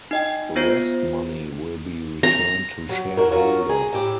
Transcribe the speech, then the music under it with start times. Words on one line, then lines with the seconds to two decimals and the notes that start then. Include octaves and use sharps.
Rest money will be returned to shareholders.
0.11 D#4 D#5 G5
0.56 B3 F4 C5 C7
2.23 A#5
2.89 F#3
3.17 F#3 E4 F#4 A#4
3.30 F4 F#4 A#4 C#5 E5
3.69 G#4 A#5
3.93 A2 G4 E5